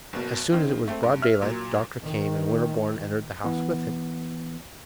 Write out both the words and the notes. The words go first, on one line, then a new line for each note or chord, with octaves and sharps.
As soon as it was broad daylight the doctor came, and Winterborne entered the house with him.
F#1 B2 A#4
D#3 C4
A3 C4
G2
E5 F6
A#2 F#3
D#3
E3 B3